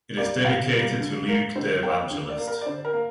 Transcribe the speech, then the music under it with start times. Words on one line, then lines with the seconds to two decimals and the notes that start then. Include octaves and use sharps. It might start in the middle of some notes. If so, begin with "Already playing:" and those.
It is dedicated to Luke the Evangelist.
0.17 G3 A#3 D5
0.45 A#2 F5
0.73 G3 A#3
1.00 D3
1.28 A#3
1.56 D3 C5
1.83 A#3 G5
2.11 D3
2.29 D5
2.38 A#3
2.47 A#4
2.61 D5
2.66 D3 C5
2.85 A#4
2.93 A#3